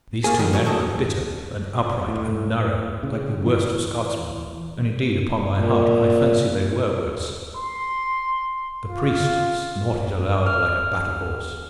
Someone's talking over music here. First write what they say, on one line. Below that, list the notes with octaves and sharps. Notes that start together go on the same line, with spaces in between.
These two men were bitter and upright and narrow, like the worst of Scotsmen, and indeed, upon my heart, I fancy they were worse. The priest snorted aloud like a battle-horse.
A3 A#3 G#4
D3 D#3 F3
D#3 F#3
D#2 G#2 A4 D#5
A2
C#3
E3
A#2
C6
F4
F6